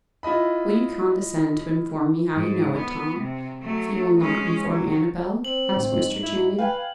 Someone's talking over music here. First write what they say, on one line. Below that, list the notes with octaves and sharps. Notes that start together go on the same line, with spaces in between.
"Will you condescend to inform me how you know it, Tom, if you will not inform Annabel?" asked Mr. Channing.
E4 F4 D#5 B5
G#2
B3
C3
F#3 A3
G#3 C#4
F#3
C4 F#7
A1
G#2
E4
B4 F5 G5 G#5